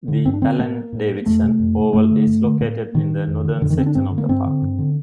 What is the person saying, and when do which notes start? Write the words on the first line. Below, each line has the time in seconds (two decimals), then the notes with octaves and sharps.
The Alan Davidson Oval is located in the northern section of the park.
0.08 D3
0.25 G2 C4
0.34 D4
0.42 D3 C4
0.59 A2 A#3
0.92 A2
1.26 F2 A3
1.43 C3
1.59 F2
1.76 C3
1.93 G2 A3
2.11 D3
2.27 G2
2.44 D3
2.61 A2 A#3
2.94 A2 D#3
3.28 F2
3.45 D3
3.61 F2 D3
3.70 D#3
3.78 D3 C4
3.86 D4
3.95 G2 C4
4.12 D3
4.18 A#3
4.29 G2 C4
4.45 D3
4.62 G2
4.79 D3